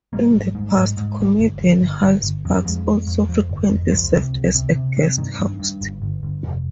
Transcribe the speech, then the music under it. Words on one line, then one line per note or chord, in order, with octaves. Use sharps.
In the past, Comedian Hal Sparks also frequently served as a guest host.
G#1 G3 A#3
G#1
G#2
G#2
G#2
G#1
G1
G1
G1
G1
G1
F2
G3
F2 F3 G#3
F2
F2
F2
G1
F2
C#2 F3
C3
C#2
C3
C3
C3
G2 D#3
G2
G2
G1
G1
G1
F1